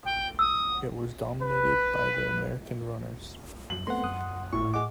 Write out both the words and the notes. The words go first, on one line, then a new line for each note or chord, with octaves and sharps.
It was dominated by the American runners.
G5
D#6 E6
B4
F#2 F#3 F#7
A3 B3 C4 F#5 C6
F#2 D#6 F#6
G#1 A2 C#6
G#4 D#5 F#5 D6